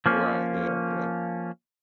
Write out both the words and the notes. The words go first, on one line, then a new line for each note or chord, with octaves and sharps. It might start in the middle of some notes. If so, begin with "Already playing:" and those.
Right, yeah, yeah.
F3 A#3 C#4